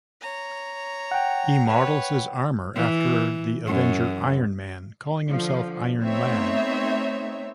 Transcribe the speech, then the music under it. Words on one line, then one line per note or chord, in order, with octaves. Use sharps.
He models his armor after the Avenger Iron Man, calling himself Iron Lad.
C#5 A#5
F#5 G5
B4 C#5
E3
F#2
D3 F3
A3 B3 C4 D#4 C#5 E5